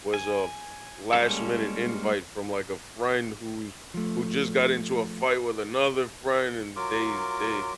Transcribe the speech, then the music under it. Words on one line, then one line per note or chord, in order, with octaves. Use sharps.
was a f last minute invite from, like, a friend who's, who just got into a fight with another friend, and they they
G#5
G3 G#3 A#3 C#4 A4
F3 A3
F#3 F4 A#4 D6